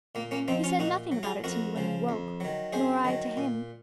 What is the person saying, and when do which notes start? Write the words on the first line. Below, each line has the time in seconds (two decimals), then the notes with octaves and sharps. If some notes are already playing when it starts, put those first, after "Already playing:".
He said nothing about it to me when we woke, nor I to him.
0.15 A#2 A#3
0.31 A#3 C#4
0.48 F3 C4 D#4
0.64 C#4 F4
0.79 A#2 D#4 F#4
1.12 F#3
1.23 F4 G#4
1.44 F2 F#4 A#4
1.76 C#3 F3
2.09 F2
2.40 D#3 F#3
2.73 F#2 G#4 C5
3.05 D#3 F#3
3.37 A#2